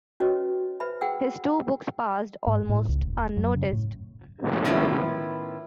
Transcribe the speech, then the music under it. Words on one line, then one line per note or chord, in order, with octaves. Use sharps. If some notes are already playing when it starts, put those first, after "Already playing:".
His two books passed almost unnoticed.
C#4 F#4 B4 C#5 D#5
B4 C5 E5 B5
G#4 F#5 G5 E6
G#2
A2
C#2
E1
F#2
C#3
A2
A2 D#3 B3 C#4 E4 F4